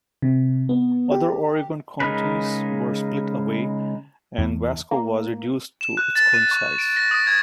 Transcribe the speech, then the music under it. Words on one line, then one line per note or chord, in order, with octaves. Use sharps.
Other Oregon counties were split away, and Wasco was reduced to its current size.
C3
B3
G4
C#3 G#3 D#4 A#4 B4
E2
A#3
E7
F#6
A6
D#7
C#6
D7
A#6
D#6
G#6